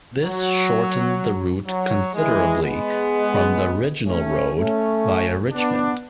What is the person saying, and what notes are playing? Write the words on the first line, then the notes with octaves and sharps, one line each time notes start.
This shortened the route considerably from the original road via Richmond.
F#3
F#3
E3 G#3
G#3 B3
A3 C#4
A3 C#4
B3 D4